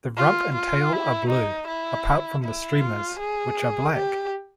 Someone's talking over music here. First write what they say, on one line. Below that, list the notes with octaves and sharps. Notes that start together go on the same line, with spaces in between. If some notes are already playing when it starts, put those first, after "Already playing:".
The rump and tail are blue, apart from the streamers, which are black.
F4
F4
E4
D#4
E4
E4
F4
G#4
G4